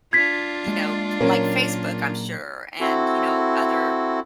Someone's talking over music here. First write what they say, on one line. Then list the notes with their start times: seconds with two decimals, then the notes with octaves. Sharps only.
you know like Facebook, I'm sure, and, you know, other
0.13 D4 F4 G#6 B6
0.66 G#3 A#3
1.21 A#2 F#3 A#3 C#4
2.80 C4 E4 F#4 A4